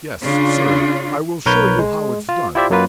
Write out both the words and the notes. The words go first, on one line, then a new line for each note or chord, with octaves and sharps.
Yes, sir, I will show you how it's done.
C#3 D4 F4
B1 A#4 B4 C#5 G6
G#3
F4
E4 F4 G4 C5 D5 E5
F#2 F#3 A#3 F4 B4